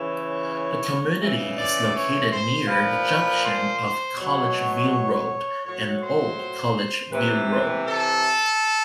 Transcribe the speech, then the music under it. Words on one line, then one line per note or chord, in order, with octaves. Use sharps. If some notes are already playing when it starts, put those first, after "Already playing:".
The community is located near the junction of Collegeville Road and Old Collegeville Road.
Already playing: C#3 E3 C#5
C#3 E3
D5
C#5
C5
A#2 F3 B4
C5
B2 F#3 C#5
A2 F#3 C#5
C5
C3 E3 B4
A4